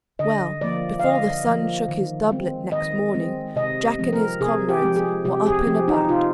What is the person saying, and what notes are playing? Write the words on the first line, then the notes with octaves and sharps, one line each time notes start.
Well, before the sun shook his doublet next morning, Jack and his comrades were up and about.
D3 D#5
F3 A#3 D5
F5
D3 D#5
F3 A#3
D#3
G#3 C4
D#3 D#5
G#3 C4
C3 D#5
F3 G#3 C4
A#4
C3 G#4
G4
F3 G#3 C4
G#4
C3 G4
G#4
F3 C4 G4
D#4
C3 F4